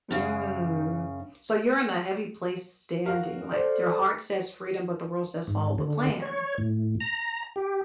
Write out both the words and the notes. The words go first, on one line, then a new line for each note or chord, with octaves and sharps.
Mm, so, you're in a heavy place standing, like, "Your heart says freedom, but the world says follow the plan."
F#2 C#3
F#4 A#4 F5
A4 C5 D5
G#2
D3
C#5
A2
A#5
G4